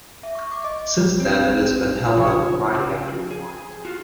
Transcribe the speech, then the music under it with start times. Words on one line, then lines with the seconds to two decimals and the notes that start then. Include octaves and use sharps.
Since then it has been held on the Friday after Memorial Day.
0.23 E5
0.35 C#6
0.51 D6
0.64 D#5
1.20 C4
2.17 C#3 F3 C#5
3.31 G#4
3.85 F4 F#4